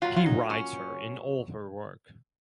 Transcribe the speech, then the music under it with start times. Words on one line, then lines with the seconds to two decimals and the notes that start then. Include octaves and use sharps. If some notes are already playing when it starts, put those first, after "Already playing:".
He rides her in all her work.
0.02 A#2 F#3 F4
0.16 F4
0.26 D#4
0.50 C#4